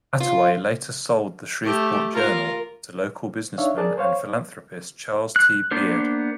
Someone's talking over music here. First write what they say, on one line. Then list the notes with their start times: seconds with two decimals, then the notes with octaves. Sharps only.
Attaway later sold the "Shreveport Journal" to local businessman and philanthropist Charles T. Beaird.
0.20 F4
1.64 A3 G4
2.13 F4 A#4
3.58 D4 D#4 C#5 E5 F5
3.77 G#4 A#4 D5 A5
3.98 C5 C#5 F5
5.36 F#6
5.71 A#3 B3 D4 A#4 C5